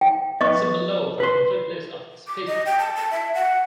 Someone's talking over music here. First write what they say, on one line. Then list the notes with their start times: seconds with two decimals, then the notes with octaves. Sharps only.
See below for complete list of species.
0.01 G5
0.41 B3 D#5 C#6
1.20 B4 C6
2.27 D6
2.47 D#5
2.66 G5
2.79 A5
2.95 A5
3.11 E5
3.34 F#5